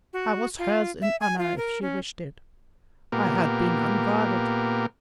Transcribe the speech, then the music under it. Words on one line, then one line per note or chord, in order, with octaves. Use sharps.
I was hers in honour if she wished it. I had been unguarded.
F#4
F4
E5
G#5
F4
A#4
C#4
A#2 A#3 B3 G4 A#4